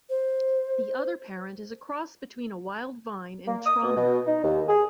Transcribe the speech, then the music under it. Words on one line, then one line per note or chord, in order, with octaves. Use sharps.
The other parent is a cross between a wild vine and Traminer.
C5
A#3
D#6
B2
B2
D#4
D#2
G#4